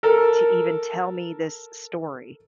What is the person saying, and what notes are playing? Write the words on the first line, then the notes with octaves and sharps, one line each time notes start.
to even tell me this story,
A4 A#4